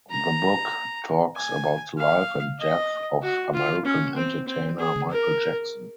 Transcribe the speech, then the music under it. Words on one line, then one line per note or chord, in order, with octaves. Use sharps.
The book talks about the life and death of American entertainer Michael Jackson.
A#5
G#5
F5
D#5
F#4
F4
C#4
C4
C4
G#4
A#4